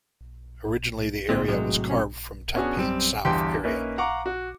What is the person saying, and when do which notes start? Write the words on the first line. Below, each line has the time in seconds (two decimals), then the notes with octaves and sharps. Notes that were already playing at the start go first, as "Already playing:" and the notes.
Originally the area was carved from Tampines South area.
1.29 D2 A#2 G#3 C4
1.48 A2 C3 F#3 G#3
1.89 C#4
2.55 B3 C#4 D4 F#4 G#4
2.76 F#2 G3 C4
3.25 G1 E2 G4 G5 C6
3.63 A#3 C#4 D#4 A#4 B4 E5
3.98 F5 F#5 A#5 C#6 D6
4.26 F#4